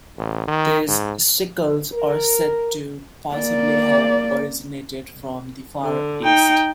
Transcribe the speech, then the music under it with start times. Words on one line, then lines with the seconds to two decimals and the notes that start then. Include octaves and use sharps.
These sickles are said to possibly have originated from the Far East.
0.18 A1
0.48 D#3
0.88 G#2
1.93 A#4
3.35 A#3 D5
5.82 D3
6.24 D#4 G5